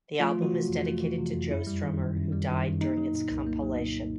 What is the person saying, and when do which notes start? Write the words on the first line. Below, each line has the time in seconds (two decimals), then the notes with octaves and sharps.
The album is dedicated to Joe Strummer, who died during its compilation.
0.20 F3 A3 F4
0.36 E3
0.42 F#3 F#4
0.53 C3
0.69 F2
0.86 A3
1.02 E3
1.18 C3
1.35 F2
1.51 F#2 E4
1.67 G3
1.83 D#3
1.99 F#2
2.16 F#2
2.32 G3
2.49 D#3
2.65 F#2
2.81 A#3 D#4
2.97 F#3
3.14 A#2
3.30 C2
3.46 A#3
3.63 F#3
3.79 A#2